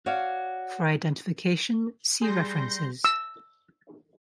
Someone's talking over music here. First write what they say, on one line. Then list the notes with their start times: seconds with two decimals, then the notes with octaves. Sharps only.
For identification see references.
0.06 F#4 C#5 D5 F5
2.22 G3 G#4 C6 G6 A#6
3.05 E6